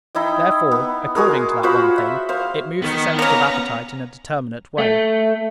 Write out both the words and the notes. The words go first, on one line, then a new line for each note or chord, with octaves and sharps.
Therefore, according to that one thing, it moves the sensitive appetite in a determinate way.
D#4 E4 D#5 G5
B3
G#3 F#4 G#4 A#4
F4 F#4 C5 B5
E5
C5 F5
D#3 B3
A#3 C#4 A#5
A3